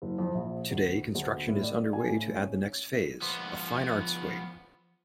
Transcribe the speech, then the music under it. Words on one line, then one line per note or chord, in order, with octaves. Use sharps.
Today, construction is underway to add the next phase; a Fine Arts wing.
F#1
F2
A#1
D2
D2
A2
D5
G#5
A2
C#4
F3 B3